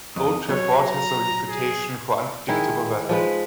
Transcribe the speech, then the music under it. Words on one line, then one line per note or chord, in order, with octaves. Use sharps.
Old Trafford has a reputation for unpredictable weather.
F2 D#6
B2 F#3 C#5
A#5
G#4
D#3 G#3 E4
F3 G#3 B4